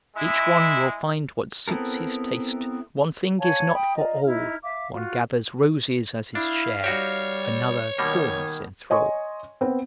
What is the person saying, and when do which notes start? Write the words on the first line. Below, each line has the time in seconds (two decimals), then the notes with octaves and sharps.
Each one will find what suits his taste, one thing is not for all, One gathers roses as his share, another thorns enthrall.
0.16 G#3 E4
1.68 B3 C4 E4 A4 A#4
3.38 C#5 F5 G#5 A5
3.72 G5 B5 D#6
3.95 F4 D5 D#5 A#5
4.24 D#4 E4 F6
4.63 E5 F5 D6
4.92 F4 F#4
6.35 D4 E4 F5
6.84 G3 D#4 F#4 G4 C#5
7.98 B2 D#3 G3 A#3 G#5
8.90 C#5 D#5 G#5 C6 C#6
9.61 B3 C4